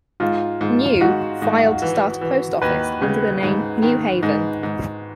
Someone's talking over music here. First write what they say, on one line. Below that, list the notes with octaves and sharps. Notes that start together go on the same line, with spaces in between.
New filed to start a post office under the name New Haven.
G#2 F4
G#2
G#2 F#4
G#2
E3
E3
D#2 B4
C#3
G#2
D#3
G#2
G#2